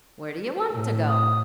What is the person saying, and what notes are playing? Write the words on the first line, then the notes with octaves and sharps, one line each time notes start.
"Where do you want to go?"
A2
D#6